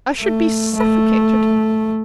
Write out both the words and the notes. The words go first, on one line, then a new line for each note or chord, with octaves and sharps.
I should be suffocated.
A3
A3